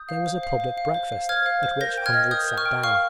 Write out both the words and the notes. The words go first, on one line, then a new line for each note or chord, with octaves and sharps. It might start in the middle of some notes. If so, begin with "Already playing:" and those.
There was a public breakfast, at which hundreds sat down.
Already playing: D#6 G6
F5
C5
F5
C5
F5
C5
F5
C5 F6 G#6
F5
C5
A#4 G6 A#6
G5
F6 G#6
D#5
A#4 D#6 G6
A#4
C#6 F6
G5
F5 C#6 F6